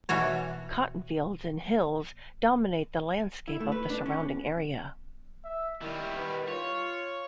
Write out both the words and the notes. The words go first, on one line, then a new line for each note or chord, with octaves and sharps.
Cotton fields and hills dominate the landscape of the surrounding area.
B2 E3 F#4 C#5
E4
A3
B4
D4
C#4
E5
D#3 G3 E4
B4
F4 C#5